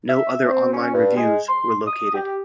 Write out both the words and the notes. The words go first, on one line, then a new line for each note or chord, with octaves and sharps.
No other online reviews were located.
E5
C4
C#4
G2
G#3
C6
D#6
G4